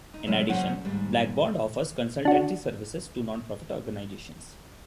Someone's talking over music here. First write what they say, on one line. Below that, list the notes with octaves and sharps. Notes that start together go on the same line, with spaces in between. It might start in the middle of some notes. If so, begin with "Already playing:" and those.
In addition, Blackbaud offers consultancy services to nonprofit organizations.
D#4
C3 E3 F#3 G#3 C#4 E4
A#2 C#3 F#3 C#4 C5 F#5
D#2 G#2 G3
D4 F#4